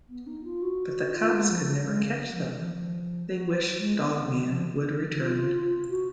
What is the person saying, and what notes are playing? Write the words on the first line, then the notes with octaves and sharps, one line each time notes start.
But the cops could never catch them, they wish Dog Man would return.
B3
D#4
F4
F#4
F4
G#3
F3
F#3
G#3
A#3
F#3
F3
D#3
F3
F3
F#3
G#3
B3
A#3
F#3
F3
D#3
F#3
F4
F4
F4
F#4